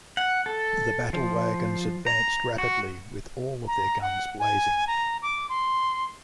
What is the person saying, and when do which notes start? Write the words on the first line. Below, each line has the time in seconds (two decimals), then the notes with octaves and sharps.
The battle wagons advanced rapidly, with all of their guns blazing.
0.17 F#5
0.46 A4
1.13 F3
2.06 A#5
2.58 F#4
3.67 A#5
4.02 F#5
4.40 G#5
4.87 A#5
5.22 D6
5.49 C6